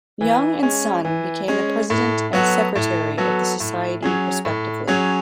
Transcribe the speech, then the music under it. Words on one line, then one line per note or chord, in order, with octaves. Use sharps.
Yeung and Sun became the President and Secretary of the Society respectively.
E3
G#3 C#4
E3
G#3 C#4
A2
F#3 B3 F#4 A4
A2
F#3 B3 F#4 A4
A2
F#3 C#4 G#4
A2
F#3 C#4 G#4